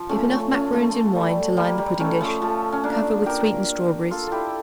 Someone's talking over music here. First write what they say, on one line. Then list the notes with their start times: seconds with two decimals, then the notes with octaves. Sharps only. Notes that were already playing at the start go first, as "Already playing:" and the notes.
Dip enough macaroons in wine to line the pudding-dish; cover with sweetened strawberries.
Already playing: F3
0.09 A3 C#4
0.30 A3 C#4
0.51 A3 C#4
0.73 F3 A3
1.15 G3
1.57 G3 A#3
1.78 G3 A#3
2.00 A3 C#4
2.21 F3 A3
2.42 F3 A3
2.72 C#4
2.84 A#3 D4
3.26 G4 A#4
4.11 F4 A4
4.27 E4 G4 A4